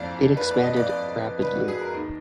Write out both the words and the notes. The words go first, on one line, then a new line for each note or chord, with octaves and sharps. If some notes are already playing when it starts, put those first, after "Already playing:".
It expanded rapidly.
Already playing: F#1 F2 F3 D5
B4
D5
D#5
D5
D5
B4
F#4
G#4
A#4
D#2 D#3